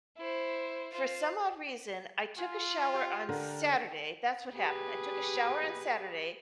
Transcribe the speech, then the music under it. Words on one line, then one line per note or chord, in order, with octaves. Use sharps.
for some odd reason, I took a shower on Saturday- that's what happened- I took a shower on Saturday,
E4 C5
F4 C5
F4 G#5
G4 G5
D3 A#4
G4 G#4 B4